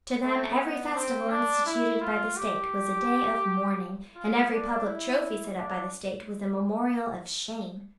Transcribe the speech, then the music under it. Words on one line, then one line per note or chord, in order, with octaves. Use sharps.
To them every festival instituted by the State was a day of mourning, and every public trophy set up by the State was a memorial of shame.
A3
B3
C4
D4
E4
F4
G4
F4
D4
E4
D4